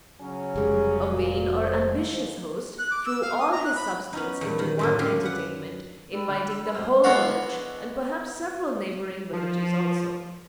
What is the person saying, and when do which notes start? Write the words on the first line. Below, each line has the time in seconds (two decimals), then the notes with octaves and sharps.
A vain or ambitious host threw all his substance into one entertainment, inviting the whole village, and perhaps several neighboring villages also.
0.21 C#3 F#3 C#4
0.55 F1 G3 G#3 G#4
1.11 A#2 F#4
1.59 D#2 C5
2.78 F#6
2.91 D6
3.05 E6
3.22 F5
3.39 D#6
3.52 A#5
3.64 F#6
3.76 B5
4.13 B3 C#4 D#4
4.41 E2 A#2
4.59 D#3
4.79 F#2 A2 D3
4.99 F#2 F4 G4 G#5
5.23 B4 F#5
6.13 D4 G4 B5 E6
6.28 D3
6.57 G#3
6.73 F#2 C5 F6
7.04 D3 G#3 B3 E4 F#4 F5
9.33 F3